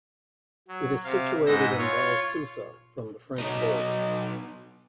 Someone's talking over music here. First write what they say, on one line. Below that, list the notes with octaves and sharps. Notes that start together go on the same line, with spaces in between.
It is situated in Val Susa, from the French border.
F#3
C3 F5
G#2 B3 D#4 E6 G6 A#6
F4 C#5
B2 D#4